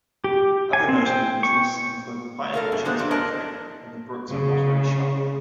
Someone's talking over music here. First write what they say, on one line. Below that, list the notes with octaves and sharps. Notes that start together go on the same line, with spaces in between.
Other notable business include the pineapple cheese factory and the Brooks pottery shop.
G4
G#5
C4
G5
C#6
A4 A#4 F5
F#2 G#4
D#3 G#3 D4 F#4 C5
F2 C4 D5
A#4 D5 D#5 A5
C#3